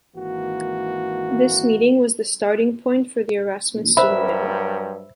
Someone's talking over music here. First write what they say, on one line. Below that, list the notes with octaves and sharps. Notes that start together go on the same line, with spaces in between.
This meeting was the starting point for the Erasmus Student Network.
G#1 E3 A#3 F#4
G2 F#3 A#4 C5 E5 B5